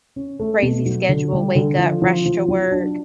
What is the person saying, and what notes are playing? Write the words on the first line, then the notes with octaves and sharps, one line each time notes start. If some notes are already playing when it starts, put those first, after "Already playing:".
crazy schedule, wake up, rush to work,
C#4
A3
B2
F#3
D3
G3
D3
F3
F3
F3
F#3
D4